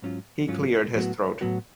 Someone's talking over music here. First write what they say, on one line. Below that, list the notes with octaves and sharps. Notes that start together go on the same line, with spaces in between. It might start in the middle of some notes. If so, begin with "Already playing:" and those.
He cleared his throat.
G#2 F#3 C#4 F4
G#2 F#3 C#4 F4
A2 F#3 B3 F#4
A2 F#3 B3 F#4